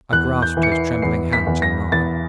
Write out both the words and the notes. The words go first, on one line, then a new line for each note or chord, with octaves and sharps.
I grasped his trembling hands in mine.
E2 F#6
G6
E3
C#7
C7
E2 C7
B6
E2
A#6
E2 A6